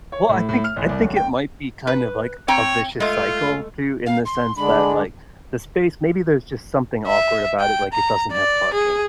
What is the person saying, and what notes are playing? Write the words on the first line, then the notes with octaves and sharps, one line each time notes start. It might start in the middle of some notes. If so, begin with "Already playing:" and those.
Well, I think I think it might be kind of, like, a vicious cycle too, in the sense that, like, the space maybe there's just something awkward about it, like it doesn't have parking.
C#5
A2
A2
F6
A1
C2
D1
G5
B4
C4 C#5 G5 A#5
G#3 A3 F4
F5
C6
D3 G#3 D4 B5
E5
G5
A#5
D5
G#4